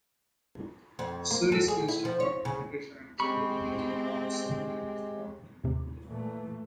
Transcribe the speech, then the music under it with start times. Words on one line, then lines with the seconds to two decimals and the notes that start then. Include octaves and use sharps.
The Swedish Minister for Integration and Gender Equality, Nyamko Sabuni, was born in Burundi.
0.99 F2
1.30 A#3
1.52 A4
1.68 G#4
1.88 E4
2.05 F3
2.20 C#5
2.45 C#3
3.20 G#3 C4 G4 B5 C#6
5.64 D#2 A2 C3
6.04 A#2 E3 A3